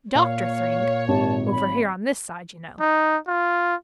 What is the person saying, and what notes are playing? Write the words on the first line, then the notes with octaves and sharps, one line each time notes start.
"Doctor Thryng--over here on this side, you know."
A#2 C#5 F5
G#1 G4 A5
B5
D#4
F4